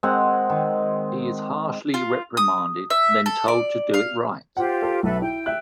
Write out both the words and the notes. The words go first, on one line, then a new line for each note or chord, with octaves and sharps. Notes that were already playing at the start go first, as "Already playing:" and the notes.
He is harshly reprimanded, then told to do it right!
G#3 C4 A#4 F#5
D#3
F4
D#6
E5
A4
D5
F5
F4 G4 C5 F#5
A4
B1 A4 B4 E5
E4 G5
E5 F#6